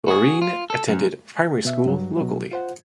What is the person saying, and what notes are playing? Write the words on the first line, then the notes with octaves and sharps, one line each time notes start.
Doreen attended primary school locally.
F#4 G#4
F4
A4
F#2
B2 E5
G2 F#3
B2 F#3
F4 C5 F#5